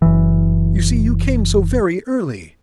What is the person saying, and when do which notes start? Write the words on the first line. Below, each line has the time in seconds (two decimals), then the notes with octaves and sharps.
"You see you came so very early."
0.02 F#1 E3